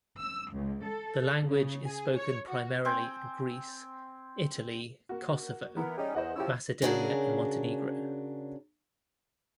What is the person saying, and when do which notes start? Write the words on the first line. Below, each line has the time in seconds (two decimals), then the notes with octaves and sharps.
The language is spoken primarily in Greece, Italy, Kosovo, Macedonia and Montenegro.
0.19 E6
0.53 C#2
0.84 A4
1.46 C#3
1.84 G#4
2.16 C#5
2.48 F#4
2.85 C4 C5 G5 G#5
5.09 A#3 F#4
5.77 E3 B3 E4 A#4
5.98 G3 C#4 D#4 G4 G#4
6.15 E2 C5 D#5 F#5
6.36 F3 C#4 E4 G4 E6
6.82 C#3 C#4 D4 F#4 G#4 A#4